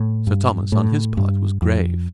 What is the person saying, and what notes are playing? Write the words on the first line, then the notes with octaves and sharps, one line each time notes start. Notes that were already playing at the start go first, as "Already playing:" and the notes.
Sir Thomas, on his part, was grave.
Already playing: A2
G2
A2
G2
F2